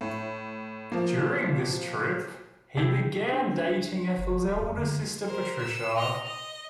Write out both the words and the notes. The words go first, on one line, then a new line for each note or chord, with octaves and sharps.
During this trip, he began dating Ethel's elder sister, Patricia.
A2
F3 A#3
C3 D4 E4 G4
D4
F#1
D1
F2
D3
A#4 C5
E6
D#5 F7
D#5